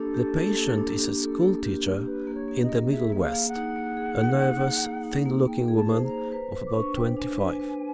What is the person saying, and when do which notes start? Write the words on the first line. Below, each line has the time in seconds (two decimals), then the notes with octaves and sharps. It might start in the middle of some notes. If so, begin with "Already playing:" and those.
The patient is a school-teacher in the Middle West, a nervous, thin-looking woman of about twenty-five.
Already playing: A#3 D4 G4 A4
0.15 G4
0.36 A#3
0.57 A#3
0.78 D4
0.98 G4
1.20 A#3 A4
1.42 A#3
1.63 G4 A#4
1.84 A#3
2.06 G4 B4
2.27 A#3
2.34 C#5
2.48 A#3
2.62 D#5
2.69 A#3
2.91 G#4 E5
3.12 A#3 E5
3.19 F5
3.34 A#3
3.48 F#5
3.55 D#4
3.76 A#3
3.97 G#4
4.18 D#4
4.40 D#4
4.62 A#3
4.82 A#3
5.03 D#4
5.25 A#3
5.46 A#3 G5
5.68 G#4
5.75 A5
5.89 C5
6.04 A#5
6.10 C5
6.32 B4 A#5
6.52 B4
6.67 D6
6.74 D4 C#6
6.96 B4 G5
7.17 D4 G#5
7.38 B4
7.60 B4